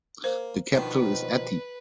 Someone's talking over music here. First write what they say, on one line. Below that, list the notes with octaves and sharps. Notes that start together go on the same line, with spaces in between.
The capital is Ati.
A#3 C5
B2 D#3 F3 D4 B4